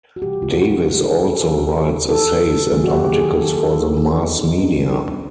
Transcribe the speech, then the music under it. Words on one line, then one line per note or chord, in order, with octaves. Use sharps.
Davies also writes essays and articles for the mass media.
F#4
C3 E3 G3 G4
F4
F#4
G4
G#4
A4
A#4
A4
D#3 F#3 A#3 G#4
F#4
G4
G#4
A4
A4
E4
D#4
D#4
D#4
D4
C#4
B3